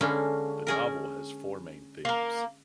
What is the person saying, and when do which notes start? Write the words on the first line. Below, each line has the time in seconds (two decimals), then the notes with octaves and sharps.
The novel has four main themes.
0.01 D3 G#3 A#3 C#4 B5
0.67 C#4 G#4 A#4
2.05 A#3 A#4